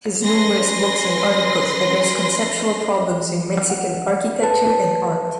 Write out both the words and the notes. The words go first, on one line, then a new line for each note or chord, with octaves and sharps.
His numerous books and articles addressed conceptual problems in Mexican architecture and art.
C#4 B4 C6 A#6
F#5
A4 B4 A5